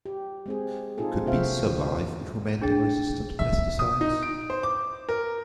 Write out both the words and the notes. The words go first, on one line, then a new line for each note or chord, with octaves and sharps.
Could bees survive if we made them resistant to pesticides?
G4
G#3 C4 G#4
A#2 C4 D#4 F4 G#4 A4
C3 A3 F#4 C5 E5 F5
E3
D4 G#4 G5 A6
E5
D#6
D#4
D7
C5
D6
A#4